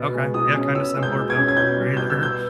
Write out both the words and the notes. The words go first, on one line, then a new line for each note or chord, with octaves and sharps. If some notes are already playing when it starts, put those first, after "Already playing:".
Okay, yeah, kinda similar boat. You're either
Already playing: B2
G#3
B2 D#6
C#4
B2 E6
G#3
G6
B2
G#6
C#4
G#6
B2 G6
G3
B2 G6
E6
B3
G6